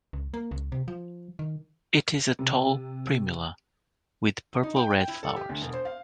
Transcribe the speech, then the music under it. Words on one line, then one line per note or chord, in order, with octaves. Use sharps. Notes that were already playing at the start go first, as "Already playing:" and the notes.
It is a tall Primula with purple-red flowers.
C#2
A#3
C#2
C3
F3
D#3
C3
D#4
G5
G5
E4
A4
G4
D2
E1
C5
F5